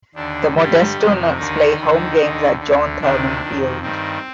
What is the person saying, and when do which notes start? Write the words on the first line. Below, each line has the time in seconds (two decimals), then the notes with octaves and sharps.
The Modesto Nuts play home games at John Thurman Field.
0.14 D#2 D3 D4
0.55 G2 D3 G3 G4
0.97 F2 C3 D#3
1.37 D#2 D3 D#3 D#4
1.78 D#2 D3
2.19 D#2 D3
2.59 D2 D3
3.01 D2 C3 D#3 D4
3.42 F2 D#3
3.82 G2 D#3 C4